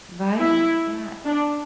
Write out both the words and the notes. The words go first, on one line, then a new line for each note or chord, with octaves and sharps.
Right, yeah,
E4
D4